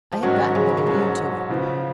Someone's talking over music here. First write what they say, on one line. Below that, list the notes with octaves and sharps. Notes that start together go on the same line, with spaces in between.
I had gotten them immune to it.
F3
G#2 D#3 F#3 C#4 F#4
C#3
A#2
G#2 B2 F#3 C#4
C#3 F3 B3